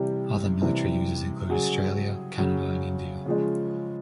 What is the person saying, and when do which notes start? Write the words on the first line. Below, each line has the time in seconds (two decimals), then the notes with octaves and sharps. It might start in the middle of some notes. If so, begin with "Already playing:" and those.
Other military users included Australia, Canada and India.
Already playing: C3 E3 G3 G4
0.62 C3 E3 G3
1.50 C#3 F#3 G#4
2.38 C#3 F#3
3.25 C#3 F3 G#3